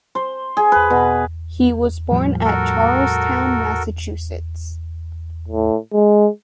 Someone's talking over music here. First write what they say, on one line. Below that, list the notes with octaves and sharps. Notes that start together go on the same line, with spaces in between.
He was born at Charlestown, Massachusetts.
C5
G#4
B4
B2
A2 F3 G3
F#4 A4 A#4
A2
G#3